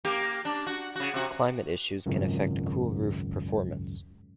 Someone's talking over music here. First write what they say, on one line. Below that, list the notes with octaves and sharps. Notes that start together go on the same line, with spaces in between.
Climate issues can affect cool roof performance.
A#3 G4
D4
F#4
C#3 F#4
C3 F#4
G#1 C#2 F#2